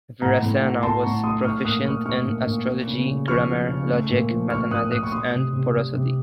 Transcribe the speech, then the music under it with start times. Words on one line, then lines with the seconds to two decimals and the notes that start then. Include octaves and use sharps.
Virasena was proficient in astrology, grammar, logic, mathematics and prosody.
0.22 A2 F#5 A#5
0.42 A2
0.62 A3
0.83 A2 A5 C6
1.03 A2 A#5 C#6
1.24 A3 C6 D#6
1.44 A3 C#6 F6
1.65 A#2 D#6 F#6
1.85 A3 C#6 F6
2.06 A3 C#6 F6
2.26 A#2
2.47 A#2
2.66 A3
2.87 C#3
3.07 C#3
3.28 F3 C#6 F6
3.48 F3
3.69 C#3
3.89 A3
4.10 A#2
4.30 F3
4.50 A3 C#6 F6
4.71 A#2 D#6 F#6
4.91 A#2 D#6 F#6
5.04 C#6
5.12 A3 C6 D#6
5.32 C3
5.53 C3
5.73 C3
5.94 C3